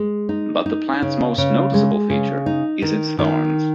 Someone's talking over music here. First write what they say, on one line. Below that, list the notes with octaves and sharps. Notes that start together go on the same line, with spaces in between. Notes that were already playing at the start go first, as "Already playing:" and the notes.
But the plant's most noticeable feature is its thorns.
Already playing: G#3
D#4
D#4
C#3
C#3
G#3
C#3
D#4
D#3
D#3